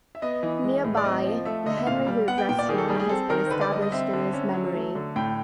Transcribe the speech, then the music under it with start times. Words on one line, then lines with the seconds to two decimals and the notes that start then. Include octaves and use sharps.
Nearby, The Henry Root restaurant has been established in his memory.
0.15 E5
0.22 B3 D#5
0.43 E3
0.64 G#3
0.84 A2
0.97 D5
1.04 C4 D#5
1.26 F3
1.45 A3 E5
1.66 D3 D#5
1.77 E5
1.87 A#2 F5
2.07 G3
2.28 B3 F#5
2.38 G5
2.49 A#2 G5
2.59 D5
2.69 D#3 G#4
2.78 A4
2.88 G3 G#4
3.00 G#4
3.09 C4 A4
3.30 D#3 A#4
3.46 C5
3.51 D3 B4
3.61 D5
3.71 G3 D#5
3.82 D#5
3.92 C4 E5
4.13 D3
4.33 C#4 E5
4.54 F#3
4.74 A3
4.95 D3
5.16 A2 G5